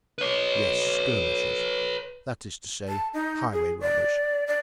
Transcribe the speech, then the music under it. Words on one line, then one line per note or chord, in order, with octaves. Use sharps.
"Yes, skirmishers; that is to say, highway robbers."
B4 C#5
A5
D#4
G#4
D5
D5